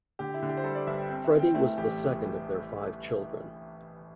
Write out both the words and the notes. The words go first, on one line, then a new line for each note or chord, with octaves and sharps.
Fredi was the second of their five children.
D3 G4
E4
D3
G4
C5
G3 A4
D5
G1 E5
G5
C4 G5
E5
C4
G5
A3 E4
A1 G4